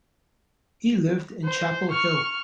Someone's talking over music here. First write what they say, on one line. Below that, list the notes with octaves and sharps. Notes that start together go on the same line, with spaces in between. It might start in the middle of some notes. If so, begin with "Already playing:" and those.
He lived in Chapel Hill.
C5
C#6 F6